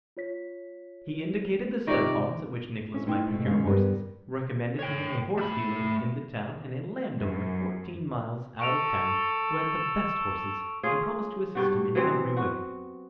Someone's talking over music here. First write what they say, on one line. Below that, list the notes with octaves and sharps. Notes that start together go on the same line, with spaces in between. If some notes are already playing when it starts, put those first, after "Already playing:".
He indicated the stud farms at which Nicholas might procure horses, recommended to him a horse dealer in the town and a landowner fourteen miles out of town who had the best horses, and promised to assist him in every way.
F4 C#5 B6
C3 D#3 F4 D5 C#6 A#6
C#4 E5
A3 D#4 E4 C5 G5
B2 A3
F#2 G#3 C#4 C#5 F5
G2 G3 B3 A#4
C#5 G5
A3 B5
F#2
A4 C#6 D7 F7
C#4 F4 G#4
G2 G3 F#4
E3 F#3 B3 C4
F#4